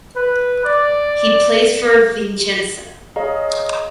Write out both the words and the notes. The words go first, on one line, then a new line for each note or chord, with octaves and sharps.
He plays for Vicenza.
B4
D5
G#4 C#5 D#5 F5 A#5